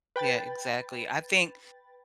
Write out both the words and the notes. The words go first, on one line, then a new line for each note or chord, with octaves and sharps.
Yeah, exactly. I think
B4 G5 B5 A6